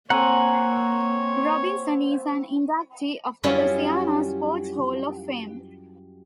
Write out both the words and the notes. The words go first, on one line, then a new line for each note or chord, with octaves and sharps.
Robinson is an inductee of the Louisiana Sports Hall of Fame.
A#3 C4 C#5 F#5 G#5 A#5
F#2 F#3 G3 C#4 E4 F4